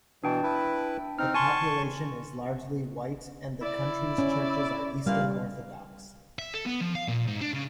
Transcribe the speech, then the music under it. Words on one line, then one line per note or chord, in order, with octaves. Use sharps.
The population is largely white, and the country's churches are Eastern Orthodox.
B2 E3 D4 G5 A5
E4 B4
C4 D#4 F6
G#5 A5 C6 C#6
E4 D5
C#4
A#2 E3 G3 F5
E5
A4
B3
F3
F5
A#2
G#2
D4
C#3